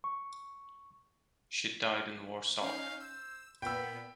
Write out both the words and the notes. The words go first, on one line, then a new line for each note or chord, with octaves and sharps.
She died in Warsaw.
C#6
C#4 D#4 F5 G6
C5 E6
A#2 B3 G5 B5 E6